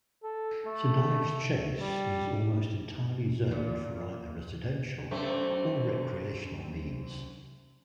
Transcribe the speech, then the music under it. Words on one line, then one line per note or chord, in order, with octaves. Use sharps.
Saint Ives Chase is almost entirely zoned for either residential or recreational means.
A4
A3
G3
A#2
F#2 A3 C4